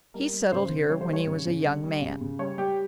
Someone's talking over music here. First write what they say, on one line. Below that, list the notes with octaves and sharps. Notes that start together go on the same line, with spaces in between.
He settled here when he was a young man.
G3 A#4
G3
C#3 C5
C#3
G3 C#5
C5
G3 C#5
C#3
C#3
G3
G3
C#3
C#3
G3 C#5
G3 G4